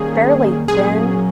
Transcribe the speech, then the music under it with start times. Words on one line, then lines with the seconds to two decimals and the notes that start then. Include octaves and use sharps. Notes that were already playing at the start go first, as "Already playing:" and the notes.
fairly thin
Already playing: D#3 G3 A#3 C#4 G#4
0.68 A#2 F#3 A#3 C#4 G#4